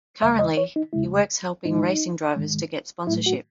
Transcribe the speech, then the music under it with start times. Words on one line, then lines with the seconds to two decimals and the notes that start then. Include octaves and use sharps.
Currently, he works helping racing drivers to get sponsorship.
0.22 E2 C#3 G#3 E5
0.39 D#5
0.57 C#5
0.76 D#4
0.93 E2 C#3 G#3 E4
1.65 G#2 D#3 G#3 D#4
2.36 G#2 D#3 G#3
3.07 A2 F#3 A3 E4
3.26 F#4